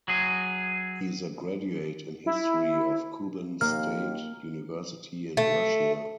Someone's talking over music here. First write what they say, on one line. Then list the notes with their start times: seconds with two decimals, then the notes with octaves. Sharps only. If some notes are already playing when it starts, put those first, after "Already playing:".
He is a graduate in history of Kuban State University in Russia.
0.08 F#3 G#4
2.26 E4
3.61 D#2 A#3 F6
5.37 A3